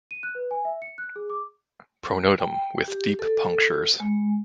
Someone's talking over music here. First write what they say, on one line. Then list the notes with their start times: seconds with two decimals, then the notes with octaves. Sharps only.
Pronotum with deep punctures.
0.11 D#7
0.23 F#6
0.35 B4
0.51 G#5
0.65 E5
0.82 C#7
0.98 F#6
1.16 G#4
1.30 D6
2.40 G5
2.88 G4
3.19 A4
4.00 G#3